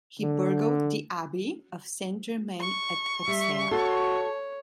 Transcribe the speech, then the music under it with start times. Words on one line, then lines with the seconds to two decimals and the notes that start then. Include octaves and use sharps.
He burgled the abbey of St-Germain at Auxerre.
0.20 D3
2.60 C#6
3.28 G3 E5
3.71 F#4 A4 C#5